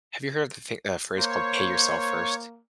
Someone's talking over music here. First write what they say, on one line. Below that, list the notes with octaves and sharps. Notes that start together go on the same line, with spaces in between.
have you heard of the thi of the phrase called pay yourself first?
A#3 C5 C#5